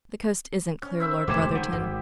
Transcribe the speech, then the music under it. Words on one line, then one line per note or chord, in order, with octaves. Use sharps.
"The coast isn't clear, Lord Brotherton."
C#4
C5 E5 B5 E6
E1 C#2 G#3 A3 G4 D6 G#6 E7
D#3 F#5
G#1